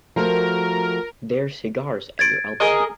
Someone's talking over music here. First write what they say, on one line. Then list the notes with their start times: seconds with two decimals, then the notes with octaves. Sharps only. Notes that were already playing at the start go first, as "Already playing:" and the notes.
There's cigars at your elbow.
0.16 F3 A3 F#4 A#4
2.19 G#6 A6 D7
2.60 G#4 A#4 D#5